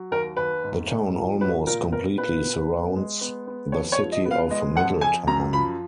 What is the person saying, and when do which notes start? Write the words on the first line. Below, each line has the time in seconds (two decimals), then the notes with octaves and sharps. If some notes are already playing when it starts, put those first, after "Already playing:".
The town almost completely surrounds the city of Middletown.
Already playing: F#3
0.11 D#2 A#4
0.37 D#2 B4
0.64 G#2
0.89 G#2
1.15 F3
1.40 F#3 B4
1.67 A#2 A#4
1.92 B3 A#4
2.18 A#2 B4
2.44 B3
2.69 B3
2.96 G#3
3.21 B3
3.47 B3
3.72 F2 C#5
3.92 C#5
3.98 F3
4.12 D#5
4.25 B3
4.31 F5
4.50 G#3 D#5
4.76 F2 F#5
5.01 F2 G#5
5.27 F#2 A#5
5.53 F3 B5